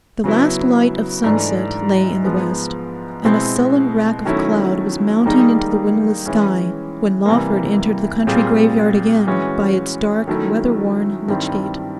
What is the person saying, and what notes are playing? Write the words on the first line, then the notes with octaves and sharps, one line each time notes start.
The last light of sunset lay in the west; and a sullen wrack of cloud was mounting into the windless sky when Lawford entered the country graveyard again by its dark weather-worn lych-gate.
C#3 F#3 B3 E4
G#2 E3 A3 D4
G#2 F3 G#3 B3
B2 G#3 C4 E4
D#3 F#3 A3 C#4 E4
D#3 G3 A#3 D#4 G#4
E3 G#3 C#4
C3 E3 G3 A#3
A#2 G3 C4 F4 G#4
E3 G#3 C#4 F#4
D#3 F#3 A3 C#4 E4
G2 D#3 G3 C4 E4